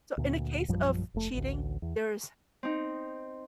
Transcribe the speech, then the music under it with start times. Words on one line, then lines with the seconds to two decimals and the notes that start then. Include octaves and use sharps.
So, in the case of cheating, there's
0.18 D2 A#2
0.68 A#1 F#2 F3 G3
1.14 F1 A3
1.33 A1 D2
1.82 E2
2.63 C4 D#4